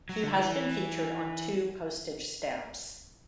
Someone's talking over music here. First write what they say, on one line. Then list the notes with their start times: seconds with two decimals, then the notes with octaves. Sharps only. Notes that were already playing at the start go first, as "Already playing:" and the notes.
He has been featured on two postage stamps.
0.09 F#3
0.23 D3
0.33 E3